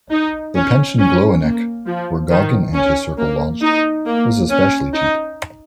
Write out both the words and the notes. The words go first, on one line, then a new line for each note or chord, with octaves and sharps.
The Pension Gloanec, where Gauguin and his circle lodged, was especially cheap.
D#4
C#4
C#4
A#3
F3
D#3
C#4
A#3
D#4
A#3
C#4
D#4